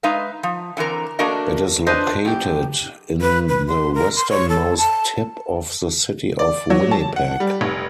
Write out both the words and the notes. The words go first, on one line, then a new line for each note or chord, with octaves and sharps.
It is located in the westernmost tip of the City of Winnipeg.
G#3 D#4 B4 E5 F5
F3
D3 E3 C4 A#4 A#5
A3 A#3 D4 F#4 A#4 D#5
D4 F4 B4 C5 D#5
F#2 G4
B4
B4
C6
A#4
C6
C#5
A4
A5
D5
F#3
A5
F#5
G3
F1